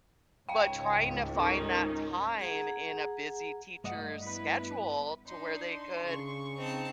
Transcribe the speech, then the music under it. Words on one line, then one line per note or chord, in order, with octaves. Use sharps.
but trying to find that time in a busy teacher's schedule to where they could
C#2 G#2 C#5 F5 G5
D#3 C#4 D#4 F4
G#4 F#5 A#5
G2 A3 D#5 F#5
B3 E4 B4
D4 D#4 C6
C#3 C#6
C4 D#4 D#5 A5